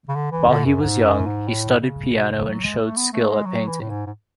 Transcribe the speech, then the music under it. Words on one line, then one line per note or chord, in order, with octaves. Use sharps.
While he was young, he studied piano and showed skill at painting.
C#3
D3
E3
D3
F#2
G#2
F#2
G#2
A2
C#3
B2
C#3
F#3
G#3
A3
B3
A3
G#3
F#3
E3
A2
G#2
G#2